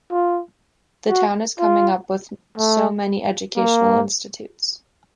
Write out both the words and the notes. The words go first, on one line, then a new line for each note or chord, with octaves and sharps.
The town is coming up with so many educational institutes.
F4
F#4
F4
A3
A#3